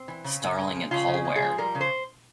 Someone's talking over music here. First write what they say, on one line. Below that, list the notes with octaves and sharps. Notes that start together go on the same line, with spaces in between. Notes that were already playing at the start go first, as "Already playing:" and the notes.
Starling and Paul Ware.
Already playing: C4
E3
C#3
C#3
G#3
F3
C#3 F4
C#3
G#4
G#3
G#4
F3
G3 A#4
C#3
C5